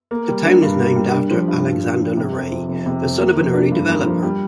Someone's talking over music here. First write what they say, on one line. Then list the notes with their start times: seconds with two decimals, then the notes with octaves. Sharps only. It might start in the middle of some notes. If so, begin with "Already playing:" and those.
The town is named after Alexander LeRay, the son of an early developer.
0.11 A#3
0.28 G3
0.44 D4
0.62 G2
0.80 A#3
0.96 G3
1.13 D4
1.31 F3
1.48 G2
1.65 G2
1.83 D4
1.99 F3
2.17 C3
2.34 F2
2.52 F3
2.68 F1
2.86 C3
3.03 F2
3.19 A#3
3.37 F3
3.54 D4
3.71 G2
3.88 A#3
4.06 F3
4.23 G3